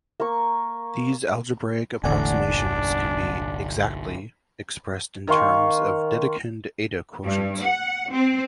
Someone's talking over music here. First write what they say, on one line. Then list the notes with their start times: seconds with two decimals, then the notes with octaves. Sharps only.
These algebraic approximations can be "exactly" expressed in terms of Dedekind eta quotients.
0.20 A#3 C#6
2.04 E1 A1 A2 D3 D4 D5 F#5 G#5
2.48 G1 C2
5.27 D#3 F5 C6 C#6
7.23 G2
7.62 F#5
8.11 C4